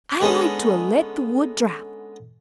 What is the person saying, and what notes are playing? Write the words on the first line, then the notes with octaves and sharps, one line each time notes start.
I like to 'a' let de wood drap!
D3 G#3 B3 C#4 D#4